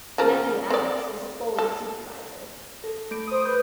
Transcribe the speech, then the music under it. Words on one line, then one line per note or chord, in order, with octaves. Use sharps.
Nephew Alex is a foley supervisor.
C#3 F3 A#4
C4 D5
A4
A4
A3 D7
C5 D#6
B4 G6